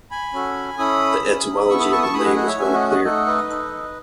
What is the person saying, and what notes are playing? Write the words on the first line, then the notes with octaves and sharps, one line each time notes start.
The etymology of the name is unclear.
G#5 B5
C#4 F#4 A4
C#4 E4 A4 B5 D#6
C#4 E4 G#4
B3 E4 A4 C#6 E6
B5 D#6
A5 C#6
D#6
A5 C#6
A3 E4 G#4 B5 D#6
D#5 F#5
D#5 F#5
C#5 E5
A3 C#4 F#4 E5 G#5
D#5 F#5
D#5 F#5
A3 D#4 A4 D#5 F#5
B4 D#5
D#4 A4